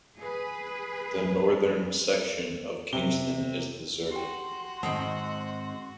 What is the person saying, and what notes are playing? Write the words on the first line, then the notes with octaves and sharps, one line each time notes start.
The northern section of Kingston is deserted.
G#4 B4
C3 G7
F#4 G4 G5 C6
G#2 D#3 C4 D#4 F#5 D#6